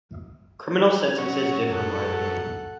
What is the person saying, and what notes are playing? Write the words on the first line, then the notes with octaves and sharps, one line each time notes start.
Criminal sentences differ widely.
F#3 C#4
F#2 A4 F#5